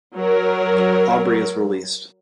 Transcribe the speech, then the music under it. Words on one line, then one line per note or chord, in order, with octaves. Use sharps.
Aubrey is released.
F#3 A#4